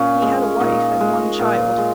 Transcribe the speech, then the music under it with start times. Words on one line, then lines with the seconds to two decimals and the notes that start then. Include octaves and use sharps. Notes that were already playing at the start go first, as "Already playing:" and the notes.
He had a wife and one child.
Already playing: A#2 C#4
0.22 G#3
0.60 A#2 D#4
1.01 G#3
1.39 A#2
1.78 G#3